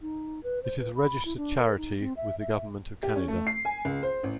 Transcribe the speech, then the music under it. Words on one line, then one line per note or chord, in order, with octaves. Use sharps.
It is a registered charity with the Government of Canada.
D#4
B4
C5
B4
B5
E4
D4
A#4
D#4
C4
E5
E5
G4
C#4
A3
C7
G#5
C#2
C5
A1